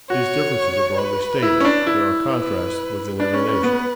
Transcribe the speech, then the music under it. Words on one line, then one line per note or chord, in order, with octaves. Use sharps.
These differences are broadly stated; there are contrasts within every nation.
F#4 C#5
B4
E4
C#4
D4
E4
B4
D4 B4
C#4
C#4
B3